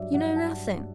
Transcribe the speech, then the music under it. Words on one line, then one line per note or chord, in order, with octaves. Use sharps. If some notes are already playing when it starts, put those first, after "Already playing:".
"You know nothing."
Already playing: G2 F#3 D5 E5
G2 F#5
A5